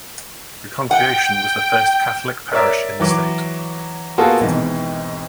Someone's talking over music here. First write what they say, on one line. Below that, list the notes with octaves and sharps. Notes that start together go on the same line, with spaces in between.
The congregation was the first Catholic parish in the state.
F#5 G5
A#4 C#5 D5 E5 A#5
E3 F#3 D6
A#3 B3 F4 F#4 G#4 A4
G#1 G#2 B2 E3